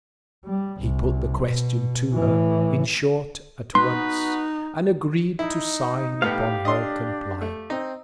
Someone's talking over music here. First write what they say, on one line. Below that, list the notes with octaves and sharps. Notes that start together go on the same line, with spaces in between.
He put the Question to her, in short, at once, and agreed to sign upon her Compliance.
G3
C2
B2
A2 E3
B3 D#4 F#4 B4 C6
D#4 E4
A2 B3 G4 F5
D4 D#5 C6
A3
C4 D#4